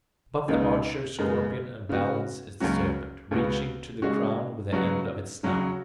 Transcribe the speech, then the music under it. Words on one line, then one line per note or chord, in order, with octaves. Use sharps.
Above the Archer, Scorpion, and Balance, is the Serpent, reaching to the Crown with the end of its snout.
C#2 C#3 B3 D#4
F#2 C#3 G#3 B3
C#3 B3 F#4
C#2 C#3 F#3 C#4 F#4
C#2 C#3 B3 F#4
C#3 G#3 C#4 F#4
C#3 F#3 B3 F#4
C#3 F#3 C#4 F#4